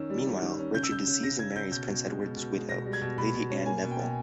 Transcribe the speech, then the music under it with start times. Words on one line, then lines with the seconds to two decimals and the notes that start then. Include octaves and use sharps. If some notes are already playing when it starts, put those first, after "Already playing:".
Meanwhile, Richard deceives and marries Prince Edward's widow Lady Anne Neville.
Already playing: D#3 C#4 E6
0.10 G3
0.27 D#3
0.42 D#3
0.58 C#4
0.74 C#3 G6
0.83 E6
0.91 C#3 G6
1.07 C#3
1.23 C#3 A#6
1.39 C#3 G#6
1.56 C#3 G6
1.72 B2 G6
1.88 B2
2.04 G#3
2.20 B2
2.37 B2
2.53 G#3
2.69 B2 A#6
2.86 G3
2.93 G#6
3.01 B2
3.18 B2 B5
3.34 B2
3.50 C#4
3.66 A#3 G#5
3.83 B2
3.91 G5
3.99 B2